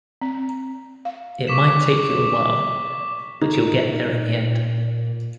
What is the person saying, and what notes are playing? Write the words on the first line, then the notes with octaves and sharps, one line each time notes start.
It might take you a while, but you'll get there in the end.
C4
F5
C#6 D6 B6 E7
D#4
A#2